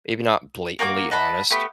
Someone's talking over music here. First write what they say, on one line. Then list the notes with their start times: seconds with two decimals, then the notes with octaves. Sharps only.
maybe not blatantly honest.
0.79 A#3 F#4 G#5 D6
1.11 D#5 F#5 A5 B5
1.50 A3 B3 G4 B5